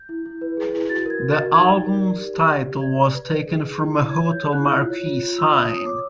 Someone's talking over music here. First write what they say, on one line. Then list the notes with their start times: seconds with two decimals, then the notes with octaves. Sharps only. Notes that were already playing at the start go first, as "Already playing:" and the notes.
The album's title was taken from a hotel marquee sign.
Already playing: G6
0.09 E4
0.26 E4
0.41 B4
0.57 G#4
0.73 E4
0.90 F#4 A6
1.06 A#4 G#6
1.21 F#4
1.32 A6
1.38 F#4
1.53 D#4 G#6
1.70 D#4
1.86 A#4
2.01 D5
2.18 G4
2.34 G4
2.50 D5
2.65 G4
2.81 D5 G#6
2.98 D5
3.14 B4
3.30 D5
3.46 G#4
3.62 G#4
3.78 E4
3.94 E4
4.10 C#5 G#6
4.26 C#5
4.32 G6
4.43 G#4
4.53 F#6
4.58 E4
4.75 F4
4.90 C#5
5.06 F4
5.23 F4
5.38 F4 E6
5.54 F4 D#6
5.70 C#5 D#6
5.86 C#5 D6